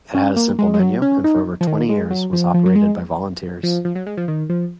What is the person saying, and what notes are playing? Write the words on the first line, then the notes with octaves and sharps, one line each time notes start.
It had a simple menu and for over twenty years was operated by volunteers.
C#4
A#3
G#3
G#3
F#3
C#4
D#4
F3
D#3
G#3
F#3
F3
F3
F#3
G#3
F3
F3
F#3
G#3
F3
D#3
F3